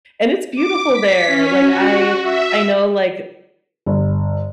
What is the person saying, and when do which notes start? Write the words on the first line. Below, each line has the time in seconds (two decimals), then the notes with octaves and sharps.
And it's beautiful there. Like, I I know, like,
0.55 D6
0.92 B6
1.26 C#4
1.62 F#4
2.22 E5
3.86 G1